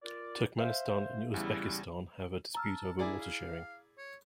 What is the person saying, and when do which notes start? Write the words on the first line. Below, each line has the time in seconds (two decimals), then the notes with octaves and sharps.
Turkmenistan and Uzbekistan have a dispute over water-sharing.
0.03 F4 A#4 D5
0.58 C5 E5 F5
1.34 E2 C#3 G3 E4
2.55 A5 A#5 E6 F6
2.99 E4 G#4 D5
3.19 F5
3.98 C#5